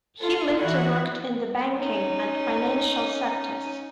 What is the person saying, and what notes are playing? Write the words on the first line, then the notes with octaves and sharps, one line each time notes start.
He later worked in the banking and financial sectors.
F4 A4
E3 E4 F#4
C#4 D#4